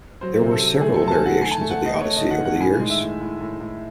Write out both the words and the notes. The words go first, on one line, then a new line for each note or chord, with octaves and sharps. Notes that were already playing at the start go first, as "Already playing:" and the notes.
There were several variations of the Odyssey over the years.
F#3 C5
C3
A4
F#3
A3 G#4
A4
F#3
A5
G#5
D#3 F#5
A3 G#5
A5
A3 G#5
F#5
A3 D#5
A3 C#5
D#3 D#5
F#5
D#3 F#5
A2 G#5
G#3
E5
A2
A2
A2
A2